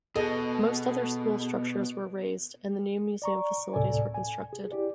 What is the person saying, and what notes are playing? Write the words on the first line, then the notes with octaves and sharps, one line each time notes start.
Most other school structures were razed, and new museum facilities were constructed.
B2 G#4 A4 D#5
D5 A#5 C#6
D2 A2 C3 A4 D5 G#5
G#5
G#4
E4 G4 D5